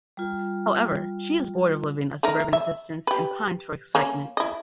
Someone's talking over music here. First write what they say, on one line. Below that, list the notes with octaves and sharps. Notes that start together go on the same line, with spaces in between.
However, she is bored of living a suburban existence and pines for excitement.
G3 F4
A3 D#4 A#4
E5
G4 B4
A#3 C#4
E4 D#5